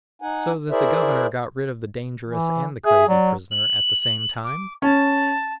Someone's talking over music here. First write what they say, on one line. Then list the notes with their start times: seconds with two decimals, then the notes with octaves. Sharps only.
"So that the governor got rid of the dangerous and the crazy prisoner at the same time?"
0.22 D#4 F#5 G#5
0.71 E4 G#4 A#4 C5 D5 E5
2.29 E3
2.85 G#4 E5
3.09 F#3 D5
3.51 F#7
4.44 D6
4.82 C#4 A5